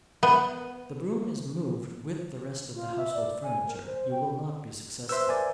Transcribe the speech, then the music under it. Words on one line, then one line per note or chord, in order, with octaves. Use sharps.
If the broom is moved with the rest of the household furniture, you will not be successful.
B3
F4
E5
D5
G#5
A#4
C5
G5
B4 C5 E5 C6 E6
A#4 D5 G#5